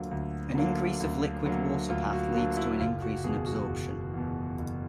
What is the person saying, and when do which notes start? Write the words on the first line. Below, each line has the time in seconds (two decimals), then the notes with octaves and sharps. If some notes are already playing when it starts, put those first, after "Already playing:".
An increase of liquid water path leads to an increase in absorption.
Already playing: D2 D3 F#3 A#3 F4
0.11 D2
0.55 D3 F#3 A#3
1.00 D2
1.45 D3 F#3 A#3
1.89 D2 F4
2.13 F#4
2.34 D3 F#3 A#3 F#4
2.57 E4
2.80 F#1 F4
3.02 F#4
3.24 E2 B2 G#4
3.46 F#4
3.69 F#1
4.14 E2 B2
4.58 F#1